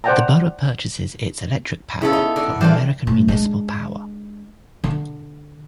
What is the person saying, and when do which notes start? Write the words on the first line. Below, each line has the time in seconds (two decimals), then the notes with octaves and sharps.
The borough purchases its electric power from American Municipal Power.
0.04 C5 D5 F#5 G5 A5 A#5
2.02 C#3 B3 E4 A4
2.13 D#4
2.36 D3 D#5
2.61 E3 G3 D4 F4 A4 C5
3.07 A2
3.28 G#3 D4
4.84 D3